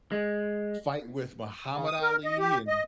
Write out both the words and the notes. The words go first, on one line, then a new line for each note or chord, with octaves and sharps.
fight with Muhammad Ali and
G#3
C#3
D#6
A#4
D#5
G4
D#5